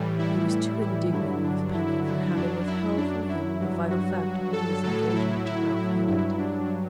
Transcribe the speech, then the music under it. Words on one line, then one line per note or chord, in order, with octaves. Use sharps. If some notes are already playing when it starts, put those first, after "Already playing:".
He was too indignant with Penny for having withheld from him the vital fact of Nita's engagement to Ralph Hammond....
Already playing: A2 E3 G3
E4
E4
G2 D3 F#3 E4
D4
E4
E4
F#2 F#3 D4
E4
D4
E4
G2 F#3
F#4
A4
A2 F#3 A4
E4
E4
E4
G2 F#3 E4
D4